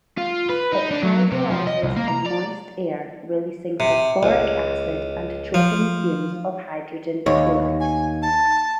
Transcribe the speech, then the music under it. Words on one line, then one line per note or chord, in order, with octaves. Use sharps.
It hydrolyses in moist air releasing phosphoric acid and choking fumes of hydrogen chloride.
F4
B4
D#4
D4
F#3
C3
F3
D#5
C2
A#3
A#5
D5
C3
C#2
F3
D#2 C#5
G#5
A5